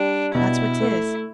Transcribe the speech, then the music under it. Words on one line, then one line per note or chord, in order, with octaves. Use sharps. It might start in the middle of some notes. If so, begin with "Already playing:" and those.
"That's what 'tis."
Already playing: G3 D4
B2 E4
A3